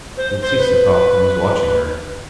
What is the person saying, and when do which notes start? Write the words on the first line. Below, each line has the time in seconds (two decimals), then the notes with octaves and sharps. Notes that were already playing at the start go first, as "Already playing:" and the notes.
He had ceased to talk, and was watching her.
0.17 C5
0.42 C5
0.58 B4